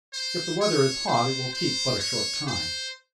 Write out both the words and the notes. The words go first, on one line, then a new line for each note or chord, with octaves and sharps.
If the weather is hot, it will keep but a short time.
C5
C#5
C5
C5
C#5
C5